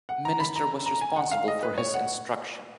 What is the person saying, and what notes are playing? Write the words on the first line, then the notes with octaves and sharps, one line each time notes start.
Minister was responsible for his instruction.
F#5
A#5
B5
A#5
A#5
G#5
F#5
F5
D#5
B4
C#5
F#5